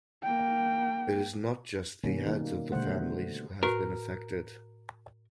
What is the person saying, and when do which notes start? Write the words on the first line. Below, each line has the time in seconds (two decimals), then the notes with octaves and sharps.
It is not just the heads of the families who have been affected.
0.23 A#3 G5
2.04 B2 D#3 G3 A#3 C#4
2.26 D#3 A#3
2.72 B2 D3 G3 A3 C5 F#5
3.63 A2 F#4 A#4 B4